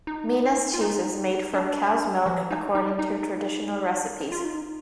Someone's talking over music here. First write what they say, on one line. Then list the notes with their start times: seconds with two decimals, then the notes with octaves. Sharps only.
Minas cheese is made from cow's milk according to traditional recipes.
0.07 D#4
0.74 F4
0.81 D#4
1.54 D4
2.26 F3
2.51 D#4
2.75 D#4
2.99 D#4
4.32 F4
4.45 D#4